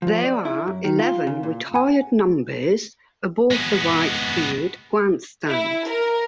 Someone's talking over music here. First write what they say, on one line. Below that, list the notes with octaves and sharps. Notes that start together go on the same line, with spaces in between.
There are eleven retired numbers above the right field grandstand.
F3
D5
E4
F#2
D#3
F4
C#3
A#2
F#5 G#5
G#3 B3
E4
A#4